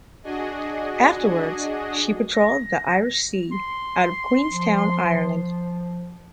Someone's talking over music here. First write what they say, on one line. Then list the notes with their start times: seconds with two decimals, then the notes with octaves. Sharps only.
Afterwards, she patrolled the Irish Sea out of Queenstown, Ireland.
0.23 D4 F#4 G#4 D#5
2.34 A#6
3.52 C6
4.50 F3